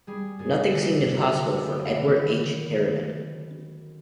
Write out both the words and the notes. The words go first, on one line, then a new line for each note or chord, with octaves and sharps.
Nothing seemed impossible for Edward H. Harriman.
G3 G#4
F#2 G#4
D3 A4
F#4
F#2
F#4
F#3 F#4
B3 G4
D#3 F#4